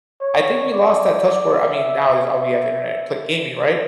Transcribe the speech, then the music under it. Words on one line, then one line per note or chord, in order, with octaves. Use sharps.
I think we lost that touch where I mean, now it's all we have Internet to play gaming, right?
C#5
D5
D5
E5
E5